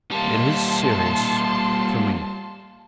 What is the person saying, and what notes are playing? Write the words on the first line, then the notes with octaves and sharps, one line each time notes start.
"It is serious--for me."
G3 A#3 A5 C6